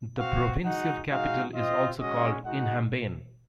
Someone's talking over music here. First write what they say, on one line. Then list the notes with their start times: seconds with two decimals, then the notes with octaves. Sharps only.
The provincial capital is also called Inhambane.
0.19 C4 F#4 F5
0.64 G#3 D#4 F#4 F#5
1.09 G#3 D#4 F#4 F5
1.54 C4 F4 D#5
2.00 G#3 C#4 F#4 D#5
2.45 G#3 D#4 F#4 F#5